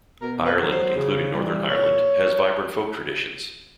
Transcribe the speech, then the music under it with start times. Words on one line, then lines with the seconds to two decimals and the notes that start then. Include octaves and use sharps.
Ireland, including Northern Ireland, has vibrant folk traditions.
0.21 B2 A#4
0.45 B4
0.59 F#3
0.71 C5
0.96 C#3
1.32 E3 G3
1.69 A#2 C#5